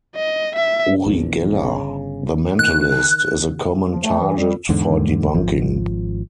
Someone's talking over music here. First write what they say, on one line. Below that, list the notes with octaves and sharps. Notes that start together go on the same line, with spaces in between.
Uri Geller, the mentalist, is a common target for debunking.
D#5
E5
A#1 E2
G1 C#3
D#3 F#6
F3
A3
E3
G3
E2 G#2 D3
G#1 F3